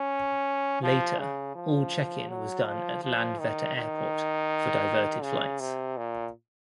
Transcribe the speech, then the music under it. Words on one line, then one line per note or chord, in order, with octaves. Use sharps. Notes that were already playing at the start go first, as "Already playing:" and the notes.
Later all check-in was done at Landvetter Airport for diverted flights.
Already playing: C#4
F3
C#3
F3
F#3
F3
F3
D#3
D#3
C#3
C3
A#2